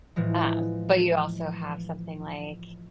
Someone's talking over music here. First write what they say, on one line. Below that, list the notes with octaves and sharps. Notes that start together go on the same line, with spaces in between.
um, but you also have something like
A2 E3 F3 G#3